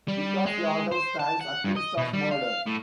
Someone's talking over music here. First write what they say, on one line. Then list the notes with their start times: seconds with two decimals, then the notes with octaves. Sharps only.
Vikas Yadav stands accused of murder.
0.08 G3
0.46 G#3
0.92 C5
1.19 A5
1.41 F#5
1.64 G2
1.76 D#5
1.97 B2
2.13 G3
2.31 F5
2.67 A2